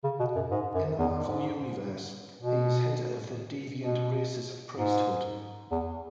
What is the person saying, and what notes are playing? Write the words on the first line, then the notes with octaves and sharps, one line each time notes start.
In the Marvel Universe, he is the head of the Deviant race's priesthood.
C#3
B2
F#2
G#2
F#2
E2
G#2
B2
B2
G#2
E2